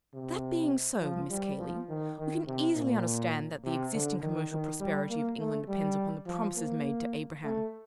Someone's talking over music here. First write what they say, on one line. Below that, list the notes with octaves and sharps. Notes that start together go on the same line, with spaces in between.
'That being so, Miss Cayley, we can easily understand that the existing commercial prosperity of England depends upon the promises made to Abraham.'
C3
F3
G3
F3
D#3
D#3
C3
A#2
C3
D3
D#3
D#3
G3
A#3
A3
G3
F3
A#3
A3